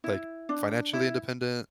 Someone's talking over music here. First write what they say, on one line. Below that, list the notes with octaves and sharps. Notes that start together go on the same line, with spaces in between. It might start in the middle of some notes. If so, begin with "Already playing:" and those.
like, financially independent.
E4
D4
E4